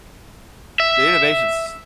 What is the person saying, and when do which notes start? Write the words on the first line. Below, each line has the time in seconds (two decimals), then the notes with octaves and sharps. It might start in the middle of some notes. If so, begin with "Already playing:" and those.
The innovation's
0.80 E5